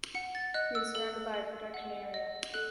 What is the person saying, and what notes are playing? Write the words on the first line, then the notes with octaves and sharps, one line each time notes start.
He is surrounded by a protection area.
F#5 C#7
A6
D#5 F#6
E6
A4 E6
A4
F#5
D#5
A4 F#6